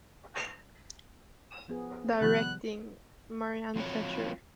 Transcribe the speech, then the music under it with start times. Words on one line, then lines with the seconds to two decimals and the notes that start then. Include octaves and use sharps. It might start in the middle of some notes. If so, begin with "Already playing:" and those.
Directing: Marianne Pletscher.
1.68 F3 B3 G#4
2.21 C3 D#3 F3 G3 B3 F#6
3.76 F3 C4 F4 F#4 C#5